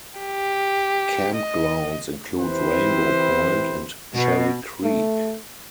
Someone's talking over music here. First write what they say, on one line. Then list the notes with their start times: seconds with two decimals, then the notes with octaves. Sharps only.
Campgrounds include Rainbow Point and Cherry Creek.
0.20 G4
1.36 D#5
2.39 E3 C4 E4 G4 B4 C5
4.14 B2
4.83 A3